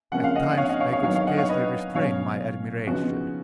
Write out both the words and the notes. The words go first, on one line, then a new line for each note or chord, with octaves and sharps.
At times I could scarcely restrain my admiration.
C#3 F3 A#3 C#4 F#5
F5
D#5 F#5
F#5
C#5 F5
D#5 F#5
C#5 F5
C#5 F5
D#3 F#3 B3 D#4 C#5 F5
C#5 F5
D#5 F#5
C#5 F5
B4 D#5
B2 F#3 C#4 C#5 F5
C#3 F3 B3 D#4 F#4